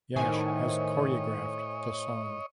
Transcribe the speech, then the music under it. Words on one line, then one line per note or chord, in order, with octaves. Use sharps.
Yash has choreographed the song.
A2 D#3 C5 C#5 D#5 G#5